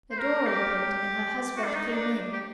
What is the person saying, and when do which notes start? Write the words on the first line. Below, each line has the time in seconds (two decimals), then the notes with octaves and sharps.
The door opened and her husband came in.
0.12 C5
0.20 A#4
0.46 G4
1.56 F#4
1.66 D4
1.75 D#4
1.93 D4
2.33 G4